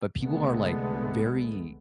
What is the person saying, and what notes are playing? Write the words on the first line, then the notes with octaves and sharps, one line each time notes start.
but people are, like, very,
C2 D3 G#3 A3 B3